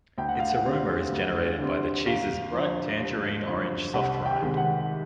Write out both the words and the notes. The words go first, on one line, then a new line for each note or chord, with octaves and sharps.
Its aroma is generated by the cheese's bright tangerine-orange soft rind.
D2 G5
F#5
F5
F#5
D3 G3 C4
D2
D3 G3 C4
D#2 F5
D3 F3
D#2
D3 F3
C2 F#5
G5
C3 D#3 G#3
F#5